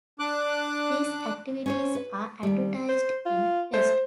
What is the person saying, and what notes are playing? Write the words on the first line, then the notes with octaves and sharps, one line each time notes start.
These activities are advertised in "Quest".
D4 D6 F#6
C#4 C5 C#5
B4
D#2 G3
C5
F4
A3 C5